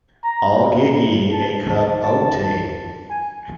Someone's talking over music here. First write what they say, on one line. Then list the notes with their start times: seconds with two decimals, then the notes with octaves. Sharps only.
I'll get ye a cup o' tea.
0.24 A#5
1.32 A5
1.67 A5
2.03 A5
3.10 G#5